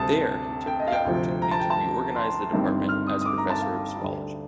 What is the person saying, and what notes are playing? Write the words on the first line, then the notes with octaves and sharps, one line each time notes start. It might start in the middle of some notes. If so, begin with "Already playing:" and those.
There, he took the opportunity to reorganize the department as professor of zoology.
Already playing: D2 C3 G3 C4 A5 D#6
G5
D#5
F5
G5
D2 C3 F3
A#5
A5
G5
A5
C6
G1 G2 D#3 G3 C4
F6
D#6
D#6
D6
A#5
A5
F5
D2 D3 G3 D4